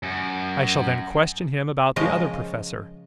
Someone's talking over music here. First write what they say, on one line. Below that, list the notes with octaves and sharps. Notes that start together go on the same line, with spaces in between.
I shall then question him about the Other Professor.
F#2
C#3 F3 G#3 A#4 D#5